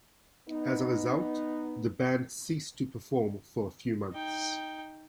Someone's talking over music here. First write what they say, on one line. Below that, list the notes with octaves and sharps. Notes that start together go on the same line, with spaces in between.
As a result, the band ceased to perform for a few months.
B3 D#4
D#4 G5